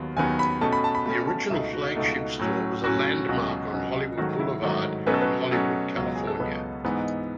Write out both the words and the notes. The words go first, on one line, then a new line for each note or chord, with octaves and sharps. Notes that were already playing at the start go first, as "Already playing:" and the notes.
The original flagship store was a landmark on Hollywood Boulevard in Hollywood, California.
Already playing: D#2 D#3 F#3 B3
D#2 D#3 F#3 B3 G#5
B5
B2 A3 C#4 A5
B5
A5
B5
B2 A3 C#4 B5
A5
C#2 B2 A3 D#4 E5
F#4
C#2 B2 A3 D#4
A2 F#3 C#4
A2 F#3 C#4 F#4
C#2 B2 F#3 C#4 F#4
C#2 B2 F#3 C#4
G#2 D#3 F#3 A3 F#4
E4
G#2 D#3 F#3 A3
B2 F#3 A3 C#4 B4
A4
B4
B2 F#3 A3 C#4
C#2 B2 F#3 B3
G#4
A4
C#2 B2 F#3 B3 B4
G#2 E3 B3 D#4